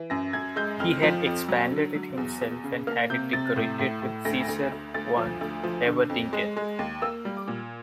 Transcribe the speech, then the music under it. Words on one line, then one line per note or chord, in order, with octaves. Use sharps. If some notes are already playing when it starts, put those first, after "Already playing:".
He had expanded it himself and had it decorated by Caesar van Everdingen.
Already playing: E3
F#2 A#6
F#2 G#6
G#3 G6
F2 F6
F3
F2
F#3
D3
F#3
E2
E2
C#3
A#3 F6
C3 G6
C3 A6
A2
A2
A2
D2 A#6
D2
D2
D2 A6
F3
D2
F3
D3
F2
G#3
G#3
D#2
A#3 E6
G3
D6
A#2